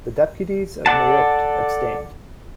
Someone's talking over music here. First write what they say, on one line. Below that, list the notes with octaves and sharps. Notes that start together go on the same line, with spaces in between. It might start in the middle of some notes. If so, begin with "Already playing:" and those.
The deputies of Mayotte abstained.
A4 D5 F#5 A5